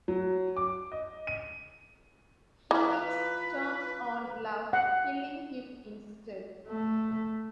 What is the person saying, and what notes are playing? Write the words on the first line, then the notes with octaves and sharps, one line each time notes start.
Helix turns on Love, killing him instead.
F#3
D6
D#5
D#7
E3 F4 B4 F5 A#5 F6
F#5
A3